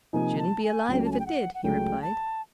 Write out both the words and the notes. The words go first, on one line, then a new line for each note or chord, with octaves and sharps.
"Shouldn't be alive if it did," he replied.
C3 F3 A#3 D#4 G#5
A5
G#5
C#2 C#3 F#3 A3 C#4 G5
A5
G#5
G5
F#5
F#5
C#2 C#3 F#3 A3 C#4 G5
A5